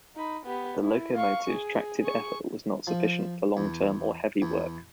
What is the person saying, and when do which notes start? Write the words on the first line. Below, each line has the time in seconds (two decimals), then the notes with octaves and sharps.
The locomotive's tractive effort was not sufficient for long term or heavy work.
0.16 D#4 B5
0.46 B3 G4
0.83 E4
1.16 F5 C#6
1.49 G#4
2.01 G#4 C#6
2.87 F3
3.57 E2
4.42 E2